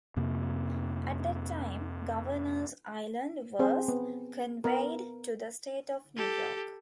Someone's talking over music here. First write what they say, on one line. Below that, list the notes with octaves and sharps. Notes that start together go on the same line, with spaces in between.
At that time Governors Island was conveyed to the State of New York.
F2 C3 A#3
C4 G#4 C5
B3
B3 A#4
G4 A4